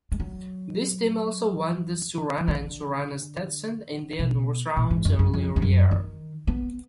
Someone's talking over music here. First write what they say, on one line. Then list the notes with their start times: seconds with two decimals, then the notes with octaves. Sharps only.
This team also won the Surana and Surana Stetson India North Rounds earlier year.
0.12 G#3
0.20 F#3
2.48 D3
4.19 B2
4.77 A#2
4.90 G#2
5.05 F#2
5.19 F#2
5.34 F2
5.56 F2
5.62 F#2
5.91 D#3
6.47 B3